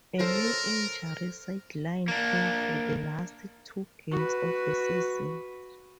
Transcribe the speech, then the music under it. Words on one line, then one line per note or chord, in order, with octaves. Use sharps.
A knee injury sidelined him for the last two games of the season.
A4 A#4 C5 C#5
A#3 D4
F#4 B4